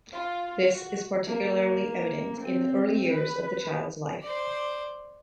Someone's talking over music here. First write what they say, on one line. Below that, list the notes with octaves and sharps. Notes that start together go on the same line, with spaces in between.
This is particularly evident in the early years of the child's life.
F4
F#4
A#3
C4
B4
C5 D5